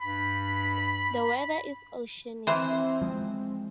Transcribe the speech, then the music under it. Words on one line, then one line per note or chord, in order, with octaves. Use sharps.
The weather is oceanic.
G2 B5
E3 C4 C5
F3 G#3